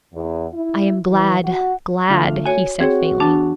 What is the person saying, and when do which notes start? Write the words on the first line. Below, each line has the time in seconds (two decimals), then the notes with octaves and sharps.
'I am glad, glad!' he said faintly.
0.14 E2
0.53 E4
1.11 E3
1.44 F#4
2.10 D3 A3 D4 F4
2.46 F#4 C#5 G#5
2.81 C4 F#4 G#4 C#5
3.20 E2 G#2 D4 A5